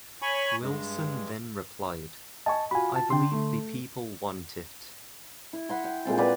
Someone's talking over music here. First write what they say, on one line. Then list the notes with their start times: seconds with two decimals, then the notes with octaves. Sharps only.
Wilson then replied, I believe the people want it.
0.22 C#5 G#5 B5 C#6
0.62 G2 G#3
2.46 D#5 G#5 A5 C#6
2.71 F4 F#4 G#5 B5
2.96 A5
3.10 D3 D4 G5 C6
3.32 A3
5.53 E4
5.69 F#5 B5 C6
5.84 G5
6.05 A#2 G#3 C4 A5
6.17 A#4 B4 D5 F#5